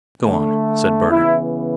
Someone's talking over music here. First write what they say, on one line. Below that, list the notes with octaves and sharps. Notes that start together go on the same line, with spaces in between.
"Go on," said Bernard.
D3 A3
C#3 E3 B3 E4